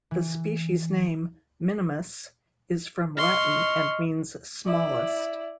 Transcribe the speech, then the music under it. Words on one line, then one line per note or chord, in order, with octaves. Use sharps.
The species name " minimus " is from Latin and means "smallest".
E3
D#5 C6 C#6 F6
E4 D5